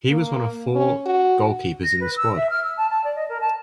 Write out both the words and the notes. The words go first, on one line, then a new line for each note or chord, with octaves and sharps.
He was one of four goalkeepers in the squad.
A#3
C#4
F#4
A#6
B4
E6
E5
F6
E6
A5
A5
D5
D#5
A#4
A5